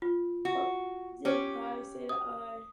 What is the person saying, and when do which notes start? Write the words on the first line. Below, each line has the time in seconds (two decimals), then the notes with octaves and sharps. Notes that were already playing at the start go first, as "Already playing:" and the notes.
What did pi say to i?
0.02 F4
0.45 F#4
1.25 C#4 G4
2.09 D#6